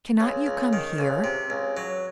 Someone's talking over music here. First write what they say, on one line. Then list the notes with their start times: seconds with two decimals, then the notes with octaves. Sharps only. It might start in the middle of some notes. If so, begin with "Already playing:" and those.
Cannot you come here?
0.21 C#2
0.46 C#2
0.73 D#3
0.98 C#2
1.24 C3
1.50 C#2
1.77 F#3